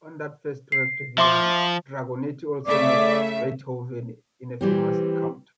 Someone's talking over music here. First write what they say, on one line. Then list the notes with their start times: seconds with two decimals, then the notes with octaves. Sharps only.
On that first trip to Vienna, Dragonetti also met Beethoven in a famous encounter.
0.72 C7
1.18 F3 E5 C6 D6
2.65 C#3 A3 D5 E5 D6
4.61 E3 G3 C4